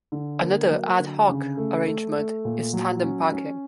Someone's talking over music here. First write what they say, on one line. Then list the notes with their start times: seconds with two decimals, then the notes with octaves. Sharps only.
Another "ad hoc" arrangement is "tandem parking".
0.12 D3
0.41 A#3
0.70 F#3
0.99 D3
1.28 C#3
1.57 A3
1.86 A3
2.16 A3
2.45 A#2
2.73 F#3
3.03 C#4
3.32 C#4